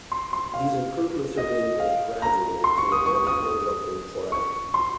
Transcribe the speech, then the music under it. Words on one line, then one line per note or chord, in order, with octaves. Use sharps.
These improvements are being made gradually to avoid interrupting play.
C6
C6
F5
D#5
F5
A#5
C6
C#6
D#6
C#6
D#6
C#6
C6